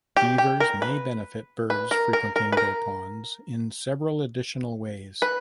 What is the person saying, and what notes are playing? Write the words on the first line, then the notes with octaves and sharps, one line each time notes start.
Beavers may benefit birds frequenting their ponds in several additional ways.
G4
G4
A#4
B4
B4
A#4
A#4
A#4
B4
A#4
B4